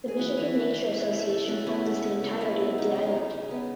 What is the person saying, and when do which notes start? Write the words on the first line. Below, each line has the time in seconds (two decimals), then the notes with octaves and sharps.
The Michigan Nature Association owns the entirety of the island.
0.08 G#4
0.19 E3 F#4
0.38 E3
0.55 A3
0.74 E3
0.92 C#3
1.12 A3
1.29 A3 A4
1.48 C#3 F#4
1.67 B3 E4
1.86 C#3
2.04 C#3
2.23 C#3
2.41 G#3 E4
2.59 B3
2.78 C#3 D#4
2.90 C#4
2.96 C#3
3.03 D#4
3.14 C#3
3.33 C#3
3.51 B3